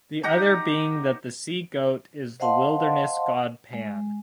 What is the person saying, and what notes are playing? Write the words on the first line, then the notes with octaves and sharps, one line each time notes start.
The other being that the sea goat is the wilderness god Pan.
D#4 G4 F#5 A#5
C5 D#5 F5 F#5 A5 C6
G#3